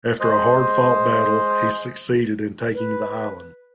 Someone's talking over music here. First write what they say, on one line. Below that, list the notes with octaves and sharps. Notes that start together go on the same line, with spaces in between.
After a hard-fought battle he succeeded in taking the island.
G#3 C5 D#5
B4